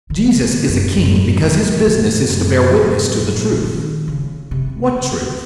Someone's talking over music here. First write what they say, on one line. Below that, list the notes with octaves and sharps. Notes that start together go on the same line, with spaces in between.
Jesus is a king because his business is to bear witness to the truth. What truth?
D#3
D#3
F#2
F#2
F2
F2
F#2
A2
A#2
F3
D#3
C#3
C3
C#3